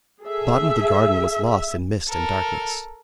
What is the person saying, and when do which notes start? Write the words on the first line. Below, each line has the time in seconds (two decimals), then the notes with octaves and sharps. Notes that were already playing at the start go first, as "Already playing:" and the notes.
The bottom of the garden was lost in mist and darkness.
0.23 G#4 A4 E5
1.47 E5
2.08 A4 A#4